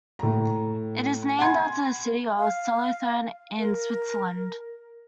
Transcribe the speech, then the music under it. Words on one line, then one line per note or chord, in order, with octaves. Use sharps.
It is named after the city of Solothurn in Switzerland.
A2 A#5
F#5 G#5 B5 C6 G#6
F5
A#4